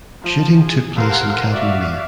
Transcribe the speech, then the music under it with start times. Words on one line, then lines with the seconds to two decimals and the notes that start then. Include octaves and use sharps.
Shooting took place in Catalonia.
0.22 F3 A5
0.61 G#4
0.96 G4 A4 A#4 C5 F5 F#5
1.51 F#4 D5 E5 F5